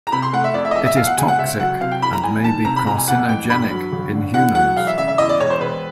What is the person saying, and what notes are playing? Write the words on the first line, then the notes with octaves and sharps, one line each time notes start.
It is toxic and may be carcinogenic in humans.
A#5
C3 B5
C6
A3 F#5
E5
F2 D5
E5
D#5
F3 E5
E5
B2 F5
F#5
C#2 G#5
F#5
C#2 E5
F#3 F#5
C3 F5
G5
E2 B5
A#5
E2 G#5
D#3 A5
C3 A#5
B5
F2 A#5
G#5
F2 F#5
E3 G5
G2 B5
F#3
G1
D3
E2 F#5
F#3 F#5
E1 F5
E5
C#3 E5
E5
E2 D#5
D5
E1 C#5
C5
E1 B4